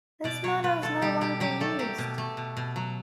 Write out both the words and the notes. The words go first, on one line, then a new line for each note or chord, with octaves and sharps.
This motto is no longer used.
B2 D5
F#3 C#5
B2 B4
B2 A4
G3 G4
B2 G4
F#3 G4
A3 A4
F#3 G4
B2
A3
B2
B2
F#3